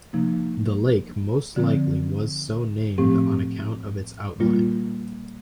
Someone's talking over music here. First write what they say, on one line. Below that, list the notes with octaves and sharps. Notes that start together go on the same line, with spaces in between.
The lake most likely was so named on account of its outline.
C3 F3 A#3 D#4
D3 F3 C4
A2 F3 A3 C4 G4
A#2 G3 A#3 F4